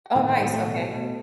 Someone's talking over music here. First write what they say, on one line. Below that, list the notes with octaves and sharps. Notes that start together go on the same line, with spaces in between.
Oh, nice, okay.
A2 D#3
D#3
A2 G#3
A3
B2
B2